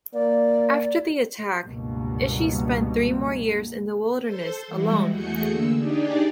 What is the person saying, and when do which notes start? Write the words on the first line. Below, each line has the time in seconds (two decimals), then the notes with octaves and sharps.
After the attack, Ishi spent three more years in the wilderness, alone.
0.14 A#3 D5
1.64 C#2 G2 B2 A#3
4.20 A4 C5 C6
4.67 E3 G3 G#3 E4 F#4
5.06 E2 A3 F#4 G#4 G6 C#7
5.44 D3 A#3 E6
5.75 D4 D#4 G4 G#4 D5